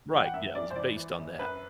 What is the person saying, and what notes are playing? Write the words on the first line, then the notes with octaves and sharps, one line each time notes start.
Right, yeah, it was based on that.
E3 G5
F#5
F#2 E5
F#2 D5
C5
E3 D5
E3
F#2
F#2 B4